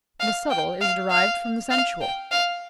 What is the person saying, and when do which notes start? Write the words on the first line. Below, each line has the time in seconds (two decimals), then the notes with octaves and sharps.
The subtile is derived from the sensual.
0.20 F5
0.50 G5
0.81 F5
1.11 F5
1.71 F5
2.01 G5
2.31 F5